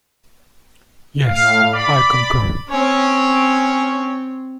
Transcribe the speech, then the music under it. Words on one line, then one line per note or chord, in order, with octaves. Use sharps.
Yes, I concur.
A2 F5
D5 B5
C4 C#4 C#5